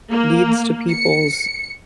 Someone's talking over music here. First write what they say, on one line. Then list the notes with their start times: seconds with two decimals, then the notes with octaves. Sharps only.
leads to people's,
0.11 A#3
0.90 C#7